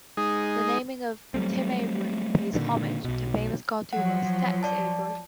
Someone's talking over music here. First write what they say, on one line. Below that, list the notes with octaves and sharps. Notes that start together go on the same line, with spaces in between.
The naming of "Tim Avery" pays homage to famous cartoonist Tex Avery.
G#3 D#4 G#4
F#3 G3 A3 C4
A#2 D3 D#3
B1 B2
F3 F#3 F#5
D5 A5